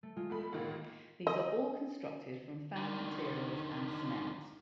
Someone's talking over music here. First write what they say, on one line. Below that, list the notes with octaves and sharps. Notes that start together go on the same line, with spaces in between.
These are all constructed from found materials and cement.
A3
G#3 F4
E2 A3 B5
A1 D#3 A#3
D#5
D3 D#3